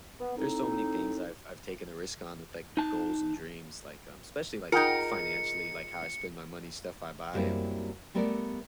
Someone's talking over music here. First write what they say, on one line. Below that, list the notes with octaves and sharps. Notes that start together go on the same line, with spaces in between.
there's so many things I've I've taken a risk on with, like, goals and dreams, like, um especially, like, financially, like, how I spend my money, stuff I buy, and,
B3
A2 C4 D#4
D#4 A5
D#4 F4 G#4 A#4 F#5 G5 C#7
F#2 F#3 G3 A#3 C4 E4
G3 A3 B3 A#4 B4 D5